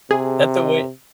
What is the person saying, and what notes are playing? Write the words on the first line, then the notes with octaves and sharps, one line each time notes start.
that's the way
C3 G#4